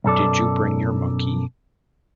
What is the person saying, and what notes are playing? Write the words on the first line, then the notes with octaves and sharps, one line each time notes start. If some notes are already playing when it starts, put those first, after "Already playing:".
Did you bring your monkey?
B1 F#2 A4 D5